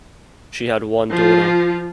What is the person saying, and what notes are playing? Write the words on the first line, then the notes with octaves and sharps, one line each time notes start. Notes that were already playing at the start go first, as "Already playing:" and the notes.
She had one daughter.
F3 F4